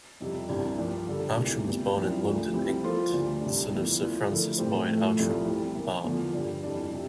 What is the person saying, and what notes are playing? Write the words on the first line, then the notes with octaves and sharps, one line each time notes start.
Outram was born in London, England, the son of Sir Francis Boyd Outram, Bart.
F2 C3 G3
C2 C3 E3 G3 D4
G2 F3 A#3 D4
D3 G3 D4 A4
D2 C3 E3 A#3
E2 C3 G3
A#2 F3 C4 E4 A#4
D2 D3 F3
C3 G3 C4 E4 G4
F3 A#3 F4 A4 C5
D2 D3 G3 A#3
C2 C3 G3 D4
E2 D3 F3 A#3 E4
E3 A#3 F4
D3 F3 A3 E4 A#4
A2 G3 C4 G4 C5
A2 F3 A3
C2 A#2 F3 A3 E4
E3 G3 C4
E3 A#3 E4 A#4
E2 D3 F3 A#3 D4
G2 D3 G3
F2 E3 G3 D4
C3